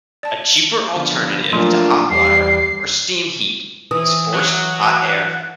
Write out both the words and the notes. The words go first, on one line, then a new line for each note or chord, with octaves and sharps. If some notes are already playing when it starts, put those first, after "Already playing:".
A cheaper alternative to hot water or steam heat is forced hot air.
D5 A5
D3 F3 B3
A#2 F3 F#3 A3 D4 F4 A4
E2 G3 D5 C7
E3 D#6
F#3 F#5